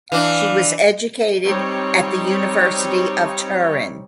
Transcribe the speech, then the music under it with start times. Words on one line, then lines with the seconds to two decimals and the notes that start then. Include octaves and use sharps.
She was educated at the University of Turin.
0.12 E3 D4 F5
1.44 G3 C4 D#4 C#5